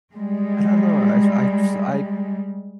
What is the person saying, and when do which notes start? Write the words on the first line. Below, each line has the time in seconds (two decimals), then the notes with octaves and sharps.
I don't know, I I s I
0.15 G3 G#3